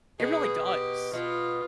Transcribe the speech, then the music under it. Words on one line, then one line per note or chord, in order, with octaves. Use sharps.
It really does.
B2 G#4
G4
B2 F4